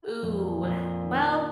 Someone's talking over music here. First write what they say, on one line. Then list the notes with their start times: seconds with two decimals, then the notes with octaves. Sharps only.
Ooh, well,
0.22 F2 A#2
0.63 F2
1.04 D#3